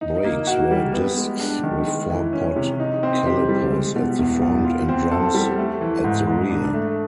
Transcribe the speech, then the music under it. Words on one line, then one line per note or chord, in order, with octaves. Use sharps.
Brakes were discs with four-pot calipers at the front, and drums at the rear.
D#4
A#3
F#4
G3
B3
G#3
D4
D#3
G#3
E3
C#4
C3
D#4
C4
G4
G3
G#3
B2
E2
E2
F4
C4
A4
G3
A3
E3
G#2
G#2
D4
A3